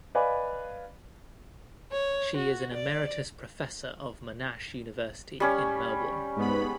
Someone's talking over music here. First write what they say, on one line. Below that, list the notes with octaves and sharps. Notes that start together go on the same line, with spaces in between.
She is an emeritus professor of Monash University in Melbourne.
B4 D5 D#5 F5 G#5 B5
C#5
F#4
D5
G3 C#4 C#5
G#2 B3 B5